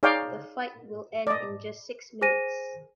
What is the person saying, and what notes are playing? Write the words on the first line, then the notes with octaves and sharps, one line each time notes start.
The fight will end in just six minutes.
D#4 G#4 C#5 D5 F5 G5
D5 D#5
G#4 C5 G#5 A#6 D#7